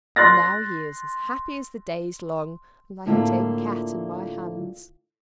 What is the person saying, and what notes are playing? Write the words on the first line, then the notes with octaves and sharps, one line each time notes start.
Now he is as happy as the day is long, and like a tame cat in my hands.
C6 F#6 A6 A#6
A2 D3 A#3 E4 F4 F5